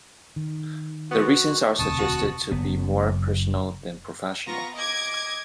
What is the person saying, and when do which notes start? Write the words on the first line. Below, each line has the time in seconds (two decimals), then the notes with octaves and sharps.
The reasons are suggested to be more personal than professional.
0.36 D#3
1.11 B3 F#4
1.46 D#3
1.79 E1 D2 C3 A5 C#6 D#6
1.98 F#4
2.51 F#1 B3
4.46 B3 F4 A#5 C#6 A#6
4.75 D#5 D6 G#6